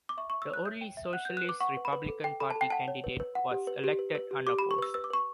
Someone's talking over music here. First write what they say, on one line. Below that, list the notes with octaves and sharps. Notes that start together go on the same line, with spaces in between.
The only Socialist Republican Party candidate was elected unopposed.
D6
E5 C#6
C#6
E5
E6
C#5 F#6
E5 G6
G5
E5
F#5 F#6
G6
B4
F#6
B4 D6
F#5 C#6
B4
B5
B4
A4
A4 G5
A4 B5
A5
A4
G5
F#5 A5
C#5
B4
B4
F#5
G4
B4
G4
B4
B4
G4
G4 D6
B5
G4
C#6
B4 E6
B4 E6
D6
B4 C#6